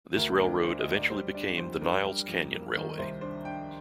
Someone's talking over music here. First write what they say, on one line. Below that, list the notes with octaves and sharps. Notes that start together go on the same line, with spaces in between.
This railroad eventually became the Niles Canyon Railway.
D2 A#4
D4 A#4
D4 C5
D#5
D2
D5
G3 C5
D4 D5
F2 C5
D4 A#4
G3
F2
A#3
D#3
C2 C5
D4 C5
D4 G5